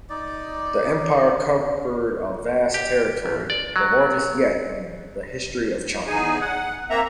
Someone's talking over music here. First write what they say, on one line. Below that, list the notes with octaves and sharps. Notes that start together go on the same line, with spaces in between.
The empire covered a vast territory, the largest yet in the history of China.
D#4 D5
G4
A1
D5
F#3
E2 D#4 G#4 G#5
F#5
A#3 C4 E5 A#5